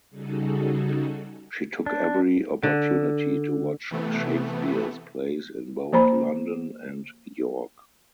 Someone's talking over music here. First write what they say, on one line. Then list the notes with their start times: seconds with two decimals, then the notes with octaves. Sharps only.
She took every opportunity to watch Shakespeare's plays in both London and York.
0.10 C#3 G3 D#4 F#4 G#4 A4
1.86 D4
2.63 D3
3.91 C3 E3 A3 B3
5.93 F3 A#3 C5 A#5 B5